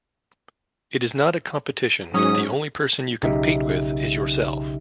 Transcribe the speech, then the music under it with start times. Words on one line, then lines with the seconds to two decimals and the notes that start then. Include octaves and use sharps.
It is not a competition, the only person you compete with is yourself.
2.14 G#2 F#3 C#4 D#6
3.23 B1 C#3 D#4 G4 D#5 E5